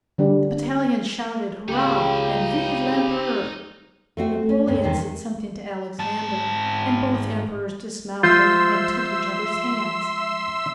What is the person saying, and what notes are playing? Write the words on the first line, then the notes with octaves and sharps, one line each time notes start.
The battalions shouted "Hurrah!" and "Vive l'Empereur!" Napoleon said something to Alexander, and both Emperors dismounted and took each other's hands.
D3 G3 D4
C#2 C#3 D#4 G4 B5
A3 C4 F#4
C#4
D2 G2 C#4
E2 C3 D#3
G#2 A5
F3 G#3 F4 C5 E5 C6 E6